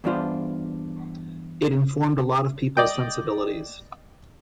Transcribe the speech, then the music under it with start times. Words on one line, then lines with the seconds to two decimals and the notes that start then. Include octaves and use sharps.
It informed a lot of people's sensibilities.
0.04 E2 G2 D4 F4 C5
2.77 D5 D#5 G5